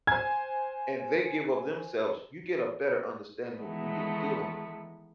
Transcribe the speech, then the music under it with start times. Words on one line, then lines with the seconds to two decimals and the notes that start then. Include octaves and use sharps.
and they give up themselves, you get a better understanding of who you're dealing with.
0.07 C5 G#5 G#6
3.59 D#3 E3 G#3 A3 B3